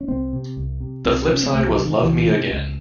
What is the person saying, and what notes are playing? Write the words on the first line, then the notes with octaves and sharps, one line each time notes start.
The flip side was "Love Me Again".
C#4
C2 C4
C3
C2
C3
C2 C4
C3 C#4
C4
C2 A3
F#3
C3
D#3
C#2 E3
C3
C#2